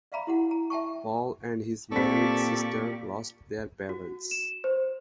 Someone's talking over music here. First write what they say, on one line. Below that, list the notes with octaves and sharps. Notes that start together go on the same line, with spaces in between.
Paul and his married sister lost their parents.
D5 E5 F5 A#5 B5
E4 G4 F#5
A#5
E5 G5 A5 C#6
A#2 C4 G4 A4 D5 C#6 D6 B6
F#4
E7
C5